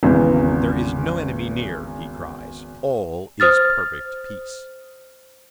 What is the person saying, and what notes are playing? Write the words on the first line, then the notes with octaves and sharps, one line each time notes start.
"There is no enemy near," he cries, "all is perfect peace!"
G#1 E2 C#3 E3
C5 D#6 F6 A6